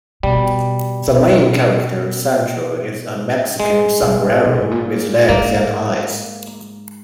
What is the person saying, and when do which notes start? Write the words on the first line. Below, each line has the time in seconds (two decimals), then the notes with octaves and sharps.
The main character, Sancho, is a Mexican sombrero with legs and eyes.
0.23 B2 G3
1.08 B2
3.60 A#2 G#3
4.02 B2
4.44 B2
4.54 A#2
4.62 G#2
4.71 A#2
5.29 G#2 A#3